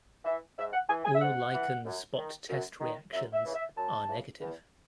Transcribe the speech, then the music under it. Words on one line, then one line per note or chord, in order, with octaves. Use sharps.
All lichen spot test reactions are negative.
E3 E5
G#2 E5
F#5
E3 G#5
G#5
E5
G#2 F#5
E3
F#2
D#3
F#2
D#3
F#2 E5
E5
C#3 E3
E5
F#2 A5
C#3 E3
E2